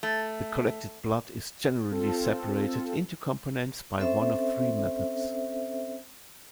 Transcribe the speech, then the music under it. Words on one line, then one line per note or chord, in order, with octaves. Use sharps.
The collected blood is generally separated into components by one of three methods.
A3
C4 F4 A4
C4 C#4 A4 C5 E5